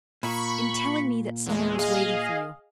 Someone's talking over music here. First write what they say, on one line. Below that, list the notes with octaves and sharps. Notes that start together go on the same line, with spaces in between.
"In telling me that some one was waiting for you."
A#2 B5 C#6
E2 G#3
G#4 D#5 F5